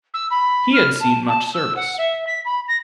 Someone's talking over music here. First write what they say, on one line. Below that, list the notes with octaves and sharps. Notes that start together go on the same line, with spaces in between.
He had seen much service.
E6
B5
F6
A5
A5
E6
F#5
E5
B6
B5
A#6